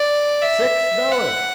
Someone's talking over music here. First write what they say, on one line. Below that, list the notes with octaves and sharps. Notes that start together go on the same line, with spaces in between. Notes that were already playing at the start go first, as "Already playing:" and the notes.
"Six dollars."
Already playing: D5
E5
F#5